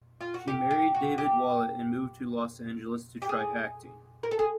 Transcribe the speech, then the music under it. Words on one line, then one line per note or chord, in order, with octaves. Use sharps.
She married David Wallett, and moved to Los Angeles to try acting.
F4
F#4
G4
G4
F#4
G4
G4
G#4
A#4
A4
G#4